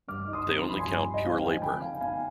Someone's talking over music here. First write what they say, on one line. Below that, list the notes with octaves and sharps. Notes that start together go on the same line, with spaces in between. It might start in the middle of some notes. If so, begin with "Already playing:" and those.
They only count pure labour.
G2 D6 F6
D#4
C6 D#6
C4
C6
F3 B5
G#5 C6
G2
D#4
D#5
C4 F5
G5
F3
G#5
D3 G5 B5
D#4 F5 G#5
B3 F5 G#5